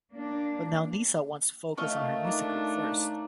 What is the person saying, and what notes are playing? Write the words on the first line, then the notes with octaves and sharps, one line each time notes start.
But now Nissa wants to focus on her music group first.
A#3 D4
A#2 A3 C#5 D#5 F5 A5 C#6
D4 D#4